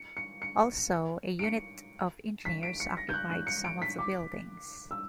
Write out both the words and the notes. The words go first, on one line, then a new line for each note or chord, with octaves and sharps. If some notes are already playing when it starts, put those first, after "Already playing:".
Also, a unit of engineers occupied some of the buildings.
Already playing: C#7
C#7
C#7
D7
C#7
B6
D7
C#7
A#6
G6
F#6
F#6
C#7
D7
B6
D6
E6